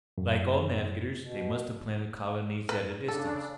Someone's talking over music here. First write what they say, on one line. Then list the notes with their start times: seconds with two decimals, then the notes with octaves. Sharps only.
Like all navigators, they must have planted colonies at a distance.
0.18 F#2
1.22 B2
2.69 B4
3.08 C#3 D4 A4